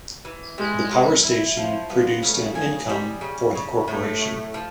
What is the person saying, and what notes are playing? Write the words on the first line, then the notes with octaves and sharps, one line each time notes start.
The power station produced an income for the corporation.
E3
G3 G#3
G3
E4
F3
G3 B3
C#3 A3
G#4
G3
C#3
C#3
A2 A3
A2
F3